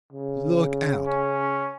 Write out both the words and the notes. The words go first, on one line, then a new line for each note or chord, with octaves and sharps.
Look out!
C#3
C#4